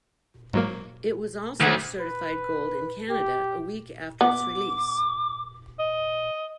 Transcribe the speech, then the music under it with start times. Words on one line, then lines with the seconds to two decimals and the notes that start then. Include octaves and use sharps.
It was also certified gold in Canada a week after its release.
0.53 G#2 F#3 A#3
1.61 D2 D#3 F#5 G#6
2.00 B4
3.10 G4
4.21 B3 D6
5.80 D#5